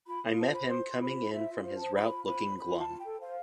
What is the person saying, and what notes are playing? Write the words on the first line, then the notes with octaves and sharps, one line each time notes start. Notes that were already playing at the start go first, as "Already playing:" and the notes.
I met him coming in from his route looking glum.
F4 B5
F4
C5 A5
C5 B5
F4 C6
F4
C5 B5
C5
F4 E5
F4
C5
A5
C5
F4 B5
F4
C5 B5
C5
C5 B5
F4
A5
F4
G5
A4
C5 F5